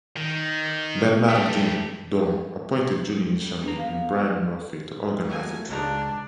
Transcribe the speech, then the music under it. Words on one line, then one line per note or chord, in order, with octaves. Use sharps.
Bernardine Dohrn appointed Julie Nichamin and Brian Murphy to organize the trip.
D#3
A3 G4
G3
B3 D4 A#5
F5
F#3 A3 A#3 G#5
C#2 C#3 D4 A#5